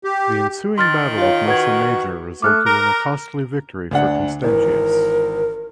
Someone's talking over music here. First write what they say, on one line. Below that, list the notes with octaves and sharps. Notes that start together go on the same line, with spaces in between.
The ensuing Battle of Mursa Major resulted in a costly victory for Constantius.
G4
D#3 C6 F6 A6
F4 C#5 F5
F#4 B4 G#6
A3 D6 F6 F#6
A#4 A#5
D2 D4 F#5
G#1 E3 A#4